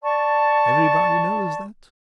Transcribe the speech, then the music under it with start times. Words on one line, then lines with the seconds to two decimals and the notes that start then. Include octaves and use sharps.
Everybody knows that.
0.02 D5 A5 C#6